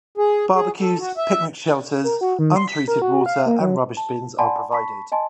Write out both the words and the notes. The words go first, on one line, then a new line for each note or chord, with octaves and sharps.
Barbeques, picnic shelters, untreated water and rubbish bins are provided.
G#4
G#4
A4
F#4
E5
A#4
F#4
D#3
C6
B6
A#4
F#4
F5
A#3
F#3
A5
D5 F#5 G#5 A5 B5 C6
A5 B5 C#6 B6
D#5 G#5 A5 C6